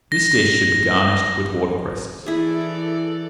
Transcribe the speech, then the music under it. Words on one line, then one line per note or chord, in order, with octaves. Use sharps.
This dish should be garnished with water-cresses.
A#6
E3 E4 G#4 A4 D5